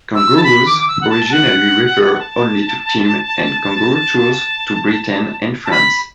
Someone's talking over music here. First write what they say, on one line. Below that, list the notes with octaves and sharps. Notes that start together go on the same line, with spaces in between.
"Kangaroos" originally referred only to teams on "Kangaroo Tours" to Britain and France.
E6
A5
B5
D6
D6
E6
F#5
A5
A5
F#5
F#5
A5
A5
B5